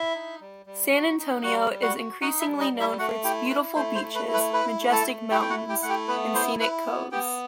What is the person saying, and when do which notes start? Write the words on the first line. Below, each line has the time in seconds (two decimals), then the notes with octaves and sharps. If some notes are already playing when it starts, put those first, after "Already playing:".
San Antonio is increasingly known for its beautiful beaches, majestic mountains and scenic coves.
Already playing: E4 E5
0.15 D#4
0.41 G3
0.66 G3
0.91 F#4
1.18 D#4
1.43 G3 F#4 F#5
1.70 G3
1.82 F#4 F#5
1.95 F#4
2.21 D#4 F#4 F#5
2.40 E4 E5
2.46 G3
2.59 D#4 D#5
2.73 G3
2.79 E4 E5
2.98 A3 F#4 F#5
3.24 E4 G4 G5
3.45 C6
3.50 E4 B4 B5
3.75 A3 C5 C6
3.95 C5 C6
4.02 A3
4.15 B4 B5
4.28 E4
4.34 B4 B5
4.53 E4 B4 B5
4.80 A3
4.92 A4 A5
5.05 A3
5.31 E4 G4 G5
5.42 G5
5.50 F#4 F#5
5.57 E4
5.69 G4 G5
5.83 A3 F#5
5.89 G4 G5
6.08 B3 B4 B5
6.35 E4 C5 C6
6.60 E4 B4 B5
6.86 B3
7.12 B3 G4 G5